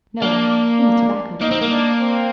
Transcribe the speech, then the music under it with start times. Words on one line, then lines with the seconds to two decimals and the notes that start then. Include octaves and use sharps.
'No, in the tobacco trade.'
0.22 A#3 D4
0.81 D4
1.41 A#3 D#4
1.51 C4
1.61 A#3
1.71 D4
2.01 C4